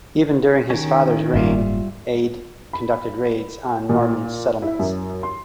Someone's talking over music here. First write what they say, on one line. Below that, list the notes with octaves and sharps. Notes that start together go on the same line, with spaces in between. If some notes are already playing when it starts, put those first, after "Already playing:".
Even during his father's reign Aedh conducted raids on Norman settlements.
D#3 C#4
F#1 G#2 G3 A#3 F4 E5
B5
A#2
E4
F#2
C6